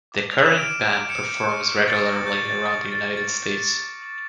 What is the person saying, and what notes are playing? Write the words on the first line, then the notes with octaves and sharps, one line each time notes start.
The current band performs regularly around the United States.
D6
F6 F7
E7
F6
D7 F7
D6
D6
G6 C#7 E7
G6
C#6
C#6
G6 A6 C#7
G6 A#6
C#6 G6
C#6 A6
G6 A6
G6
A6
D6
A6
D6
G6
G6
D6
D6